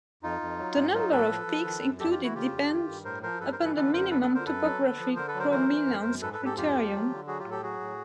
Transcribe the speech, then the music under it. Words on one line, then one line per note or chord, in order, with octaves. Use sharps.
The number of peaks included depends upon the minimum topographic prominence criterion.
F2 D#4 F4
F2
F#3
G#2
F#3 D#4 F4
A2 A4 B4
F3
F3
D#3
F#2
F2 G4 A4
F4 G4
E3
E4 F#4
C#3 F4 G4
F2
D#3
G2
A2 A#4 C5
F3 A#4 C5
G2 A4 B4
A#4 C5
E3
A4 B4
D3 A4 B4
F#2 A#4 C5
D3 A4 B4
A4 B4
D3
A#4 C5
F#2 A4 B4
F#3
D3
F3
D3 A#4 C5
A4 B4
F#3
A#4 C5
E3 A#4 C5
E3
F#2
F#2
G#2 A4 B4
A4 B4
G#2
G4 A4
F2 F4 G4
F3
F#3
D3
F#3 F#4 G#4
F4 G4
A2
G4 A4
F#3 F#4 G#4
A2